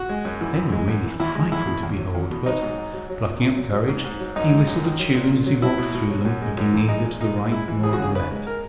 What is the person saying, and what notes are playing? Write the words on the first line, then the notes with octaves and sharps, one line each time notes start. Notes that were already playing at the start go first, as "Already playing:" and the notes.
They were really frightful to behold, but, plucking up courage, he whistled a tune as he walked through them, looking neither to the right nor the left.
Already playing: F#4
G#3
F#2
E3
F#2
G#3
F#2
E3
E2 E4
G#3
E2 E4
B2
E2
F#3
E2
B2
F#3 D#4
G#2
G#2
F#3
F#3
A#2
A#2
F#3
F#3
G#2
G#2
F#3
F#2 D#4
G#3
F#2
D#3
F#3
A#2
A#2
F#3
F#3 E4
B2
B2
F#3
F#2
G#3
F#2
E3
G#3 D#4
A#2
A#2 D#4
G#3
G#3 E4
E3
F#2 G#4
F#4
C#3 G#4
G#2 B4
G#3
A#4